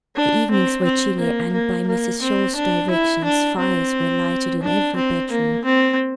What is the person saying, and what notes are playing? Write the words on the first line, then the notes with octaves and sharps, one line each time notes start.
The evenings were chilly, and by Mrs. Shaw's directions fires were lighted in every bedroom.
D4
C4
C4
A#3
A#3
A#3
C4
D4
E4
D4
C4
D4
C4
A#3
C4